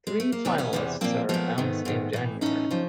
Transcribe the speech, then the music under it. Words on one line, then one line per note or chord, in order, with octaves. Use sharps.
Three finalists are announced in January.
G#3
A3
A#3
E2 C3 E3 A3 B3
B3 C#4
E2 C3 E3
A#2 F3 A#3 C4
A#2 F3 A3 B3
G#2 D#3
G#2 D#3
A2 E3
A2 E3 C#4 D#4
C#3 F3